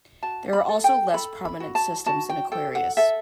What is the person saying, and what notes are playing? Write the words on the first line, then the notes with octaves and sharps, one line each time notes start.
There are also less-prominent systems in Aquarius.
F#4 A5
B5
A4
G5
A4 B5
B5
F#4
A5
F#4 A5
G5
A4 G5
F#5
A4 E5